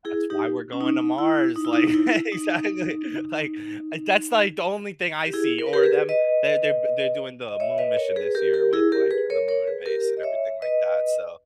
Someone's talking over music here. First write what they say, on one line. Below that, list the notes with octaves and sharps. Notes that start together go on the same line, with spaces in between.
That's why we're going to Mars, like exactly. Like, uh, that's, like, the only thing I see, or them they're they're b they're doing the moon mission this year with, like, the moon base and everything like that. So,
E4 G#4
D#4 G4
C#4
D#4
E4
D#4
E4
D#4
D#4
E4
D#4
G4
E4 G#4
A#4
B4
G4 A#4
G#4 B4
B4 D#5
D#5
C#5 E5
B4 D#5
A#4 C#5
G#4 B4
G4 A#4
G4 A#4
E4 G#4
G4 A#4
G#4 B4
A#4 C#5
A#4 C#5
G#4 B4
G4 A#4
D#5
C#5 E5
B4 D#5